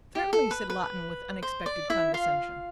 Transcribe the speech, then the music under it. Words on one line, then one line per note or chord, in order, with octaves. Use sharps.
"Certainly," said Lawton, with unexpected condescension.
G4
A4
B4
B4
C5
D5
E4 E5
F4 F5